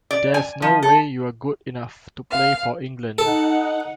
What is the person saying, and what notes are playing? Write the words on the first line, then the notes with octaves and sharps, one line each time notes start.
There's no way you're good enough to play for England.
D5
G#5
F3
A4
F5
D#4 A4 F#5